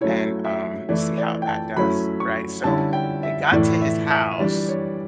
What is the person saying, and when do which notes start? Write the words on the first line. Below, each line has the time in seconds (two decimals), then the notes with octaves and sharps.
and, um, see how that does, right, so they got to his house
0.01 F#3 A3 C#4 E4 C#5
0.45 E5
0.89 E3 A3 E4 D5
1.18 D5
1.42 G5
1.47 A5
1.77 F#3 A3 C#4 E4 B5
2.20 C#6
2.64 D3 G3 C#4 E4 A5
2.93 G5
3.23 E5
3.52 A2 E3 A3 E4 D5
3.81 E5
4.10 E5
4.39 E3 G3 D4 D5
4.69 C#5